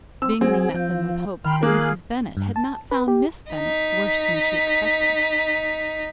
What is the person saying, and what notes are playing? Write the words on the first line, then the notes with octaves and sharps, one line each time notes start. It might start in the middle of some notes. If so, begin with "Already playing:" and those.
Bingley met them with hopes that Mrs. Bennet had not found Miss Bennet worse than she expected.
C4 E6
F#3 C4 G#4
F3 G6
D#3 G5 B5 C6 F6
A#3 F4 G#4 F6 F#6
G2
A5
B4
G4
D#4 B6